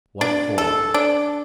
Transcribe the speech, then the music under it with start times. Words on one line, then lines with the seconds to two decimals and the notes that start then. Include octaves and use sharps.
"What for?"
0.21 D4
0.58 A4
0.94 D4